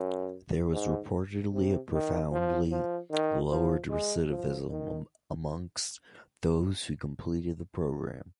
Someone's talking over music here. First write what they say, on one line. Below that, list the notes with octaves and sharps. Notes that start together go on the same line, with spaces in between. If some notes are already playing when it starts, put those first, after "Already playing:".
There was reportedly a profoundly lowered recidivism amongst those who completed the program.
Already playing: F#2
G#2
C3
D#3
F3
F3
D#3
F3
G#3
F3
D#3